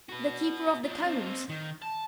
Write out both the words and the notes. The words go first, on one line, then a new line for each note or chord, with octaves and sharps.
The Keeper of the Cones!
F#4 B4
D4 F4
C4 D#4
D#3
A5